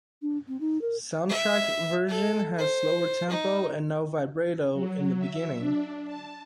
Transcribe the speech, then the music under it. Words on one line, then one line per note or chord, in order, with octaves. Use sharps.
Soundtrack version has slower tempo and no vibrato in the beginning.
D4
C4
D#4
A#4
E5
A4
C5
D#4
F#3
E5
D4
A5